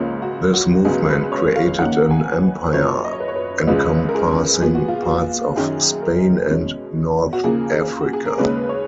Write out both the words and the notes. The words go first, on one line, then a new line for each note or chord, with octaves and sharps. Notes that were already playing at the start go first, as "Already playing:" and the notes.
This movement created an empire encompassing parts of Spain and North Africa.
Already playing: C#2 C#3 F3 A#3 C#4
F#4
F#4
C#2 C#3 F#3 B3 G#4
B4
C#5
F5
D#2 D#3 A#3 C#4 F#5
G#5
B4
B4
F#2 F3 A#3 C#4 C#5
D#5
C#5
B4
C#5
B4
C#2 C#3 F3 G#3 C#4 B4
A#4
G#4
A#2 F3 B3 G#4
F#4
F4
F#4
F#2 D#3 F#3 C#4 G#4
A#4
B2 G#3 C#4
F#4
D#2 C#3 F3 A#3 G#4
F#4
G#4
A#4
D#2 C#3 G#3 C#4 B4
C#5